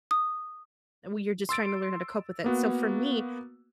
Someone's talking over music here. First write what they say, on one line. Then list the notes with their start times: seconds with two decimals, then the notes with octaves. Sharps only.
and when you're just trying to learn how to cope with it, so for me,
0.11 D#6
1.49 C6 E6 A6 D7
2.44 A#3 B3 F#4